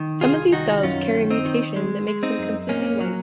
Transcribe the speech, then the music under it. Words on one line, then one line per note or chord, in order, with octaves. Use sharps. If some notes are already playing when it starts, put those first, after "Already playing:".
Some of these doves carry a mutation that makes them completely white.
Already playing: D#3
C2 F4 G#4
D#3 D#4 F#4
F#2 C#4 F4
D#3
C4 D#4
D#3
G#3
G#3
C4 D#4
F#2
A#2 A#3 C#4
F#3